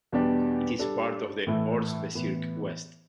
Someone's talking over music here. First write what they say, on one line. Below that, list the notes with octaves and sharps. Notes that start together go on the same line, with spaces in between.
It is part of the "Ortsbezirk West".
E2 B2 G3 D4 G4
G3 D4 A4
A2 E3 A3 E4
A2 E3 B3